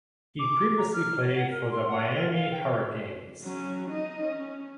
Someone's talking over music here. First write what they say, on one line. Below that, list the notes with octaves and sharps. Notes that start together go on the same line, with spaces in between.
He previously played for the Miami Hurricanes.
D6
A#5
F6
C#5
F#5
A#4
C6
F#5
A#4
F5
G5
F#3 C#4
D#4 D#5
C#4